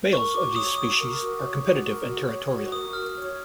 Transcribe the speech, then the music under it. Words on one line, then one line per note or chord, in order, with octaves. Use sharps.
Males of these species are competitive and territorial.
A#4 C#6
F#4 D6
C#5 D#6
F#4 D#6
A#4
F#4
C#5
F#4
A#4
F#4
C#5
F#4
A#4 D#6
F#4 F6
C#5